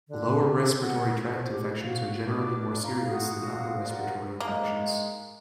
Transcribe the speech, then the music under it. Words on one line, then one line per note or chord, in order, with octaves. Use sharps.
Lower respiratory tract infections are generally more serious than upper respiratory infections.
D3
G4
F#5
C5
G4
F#4 F5
G2 D4 D6
F4 F5 A#5 B5
F#4 D#6
F#4 A#4 D5
G#3 A#3